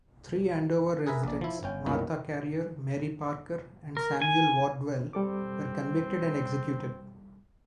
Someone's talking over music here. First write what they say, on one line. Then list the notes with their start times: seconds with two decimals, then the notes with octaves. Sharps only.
Three Andover residents, Martha Carrier, Mary Parker, and Samuel Wardwell, were convicted and executed.
1.06 G#4 A#4 B4 E5
1.23 A#1 D5
1.41 F3 E4
1.63 G1 C#4 G5
1.86 C2 F#2 A#2 D#3 B3
3.97 A#4
4.22 G#5
5.13 G3 C4 A4 D6